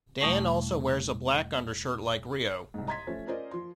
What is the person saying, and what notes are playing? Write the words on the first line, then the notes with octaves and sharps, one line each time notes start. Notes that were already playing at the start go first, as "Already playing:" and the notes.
Dan also wears a black undershirt like Ryo.
E2 B2 G3 A3 C#6
C2 G#2
D#5 A#5 C6 G#6 A6 B6
F3 A3 C#4 C5
C#4 F4 A#4 C5 D5 D#5
F3 C6